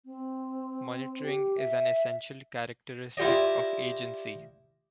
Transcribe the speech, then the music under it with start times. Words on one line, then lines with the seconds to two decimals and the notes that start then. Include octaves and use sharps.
Monitoring is an essential characteristic of agency.
0.06 C4
1.22 G4
1.58 E5
3.17 E4 F4 G4 D5 D#5